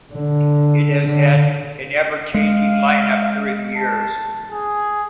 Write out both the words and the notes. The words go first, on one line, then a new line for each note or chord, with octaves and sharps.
It has had an ever-changing line-up through the years.
D3
D3
G#3 F5
A5
G#4